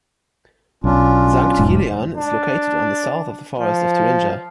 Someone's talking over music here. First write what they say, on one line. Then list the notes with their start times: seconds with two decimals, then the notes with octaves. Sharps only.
Sankt Kilian is located on the south of the forest of Thuringia.
0.84 B1 C#4 D4 F4
1.59 E1 G#2
2.17 D4
3.59 F3